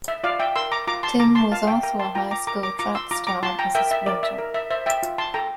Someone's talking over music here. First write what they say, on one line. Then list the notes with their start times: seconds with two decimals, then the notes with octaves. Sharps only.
Tim was also a high school track star as a sprinter.
0.08 E5
0.24 F4 D5 F5
0.40 E5 G5
0.56 A#4 C6 E6
0.72 A#5 D6
0.87 F4 A#5 D6
1.03 A5 C6
1.20 A#4 A#5 D6
1.35 A5 C6
1.51 F4 F5 A5
1.67 E5 G5
1.83 A#4 G5 A#5
1.99 A5 C6
2.15 F4 G5 A#5
2.31 A#5 D6
2.47 A#4 A#5 D6
2.63 A#5 D6
2.79 F4 A#5 D6
2.95 C6 E6
3.11 F4 A#5 D6
3.27 A#5 D6
3.43 F4 A5 C6
3.59 G5 A#5
3.75 A#4 E5 G5
3.91 E5
4.06 A#4 D5
4.23 E5
4.38 A#4
4.54 E5
4.70 C5 E5
4.86 E5 G5
5.03 F4
5.18 A5 C6
5.34 A4 G5 A#5